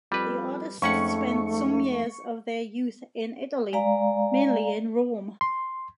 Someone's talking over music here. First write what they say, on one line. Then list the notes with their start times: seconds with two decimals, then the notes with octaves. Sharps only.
The artist spent some years of their youth in Italy, mainly in Rome.
0.12 F2 G3 B4
0.82 F2 G#2 A3 C#4 F#5 C#6 C#7
3.73 G#3 D5 F5 A#5
5.41 C6